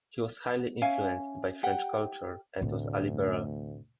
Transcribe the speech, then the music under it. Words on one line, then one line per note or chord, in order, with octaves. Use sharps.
He was highly influenced by French culture and was a liberal.
C#4 E5 F5 G#5
G4 F#5
D2 A2 C3